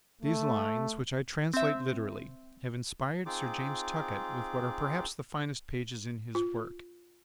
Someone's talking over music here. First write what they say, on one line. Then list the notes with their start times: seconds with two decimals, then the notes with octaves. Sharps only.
These lines, which I translate literally, have inspired Sir James Tuckett with what are perhaps the finest pages in his work.
0.22 A3
1.54 C4 E5
3.26 C4 D#4 F4 G#4 D6
6.35 F4